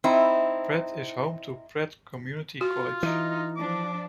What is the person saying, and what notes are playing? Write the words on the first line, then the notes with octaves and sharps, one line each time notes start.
Pratt is home to Pratt Community College.
C4 D#4 E4
F4 F#4
E3 D#4
F3 D4 D6